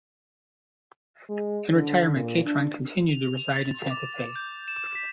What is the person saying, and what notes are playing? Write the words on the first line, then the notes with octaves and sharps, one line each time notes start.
In retirement Catron continued to reside in Santa Fe.
G#3
D3
A#2
D4
F7
F7
A6
D6
G6
E7
B6